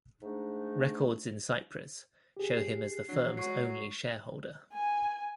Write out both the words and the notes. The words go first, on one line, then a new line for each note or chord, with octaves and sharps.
Records in Cyprus show him as the firm's only shareholder.
G#2 A3 D4 D#4
G4 G#4
C7
E3 F#3 D4
F#3 G#3 C#6 C7
G#5